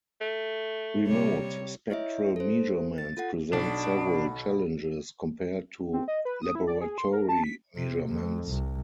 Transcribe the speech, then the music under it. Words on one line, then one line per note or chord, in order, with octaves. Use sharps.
Remote spectral measurements present several challenges compared to laboratory measurements.
A3
C3 G3 C#5
E4 C#5 D#5 E5
A4 C5
A6
F4 A4 F#5
B1 B2 D4
C4
D#5
B4
D#6
E4
D5
G#4
C6
A#4
A5
B6
C3
F2
C2